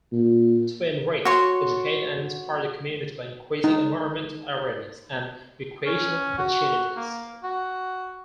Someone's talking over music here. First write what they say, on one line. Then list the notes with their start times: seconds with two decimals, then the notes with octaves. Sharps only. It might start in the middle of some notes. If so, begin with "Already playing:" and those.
To enrich, educate and inspire the community by increasing environmental awareness and recreational opportunities.
0.12 A#2
1.25 F#4 C#5 C6
3.64 D#4
5.86 C#4
6.38 F#4
6.97 A#3
7.43 F#4